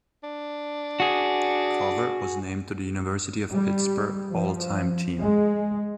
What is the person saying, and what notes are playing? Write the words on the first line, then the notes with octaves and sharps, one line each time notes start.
Covert was named to the University of Pittsburgh All-Time Team.
D4
F#4 G#4
G3
F3
G#3